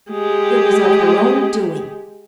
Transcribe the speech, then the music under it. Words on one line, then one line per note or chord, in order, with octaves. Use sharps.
It was of her own doing.
G#3 G4